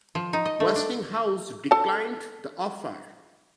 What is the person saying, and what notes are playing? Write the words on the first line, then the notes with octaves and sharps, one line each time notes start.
Westinghouse declined the offer.
F3
D#4
D#5
A3
D4
A4 A5